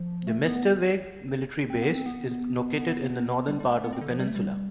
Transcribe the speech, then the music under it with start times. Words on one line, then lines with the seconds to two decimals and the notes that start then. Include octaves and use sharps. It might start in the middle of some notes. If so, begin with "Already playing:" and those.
The Mestersvig military base is located in the northern part of the peninsula.
Already playing: F3
0.27 A3
0.45 B3
1.70 C4
1.82 B3
1.94 C4
2.06 B3
2.76 B3
3.48 G3
3.60 G3
3.72 A3
3.84 B3
3.93 C4
4.01 D3
4.10 F3
4.20 G3
4.28 A3
4.36 G3